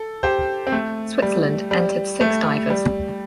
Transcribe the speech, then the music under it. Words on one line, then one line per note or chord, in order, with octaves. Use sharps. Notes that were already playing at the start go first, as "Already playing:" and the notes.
Switzerland entered six divers.
Already playing: A4
G4 C5
C4
A3
G3
G3
A3
G3